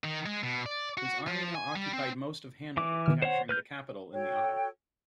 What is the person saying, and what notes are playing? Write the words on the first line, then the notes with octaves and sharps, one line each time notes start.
His army now occupied most of Hanover, capturing the capital in the autumn.
D#3
G#3
B2
D5
F#4
F3
G#5
G3
C4
E3 D6
B2 D#3 F6
C5 C#5 F#5
B4 F6 G6
F#4 A4 C#5 G5